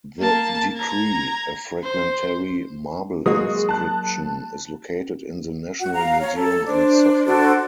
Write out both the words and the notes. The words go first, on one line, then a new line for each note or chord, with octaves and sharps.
The decree, a fragmentary marble inscription, is located in the National Museum in Sofia.
A#3 A5
A#5 G#6
C5
F#3 G#3 A#3 F#4 D#6
A5 F#6
F#4 F#5
F5 A#5
C#5 A#5
A4
D4 C5
D4 F#4 A4 C5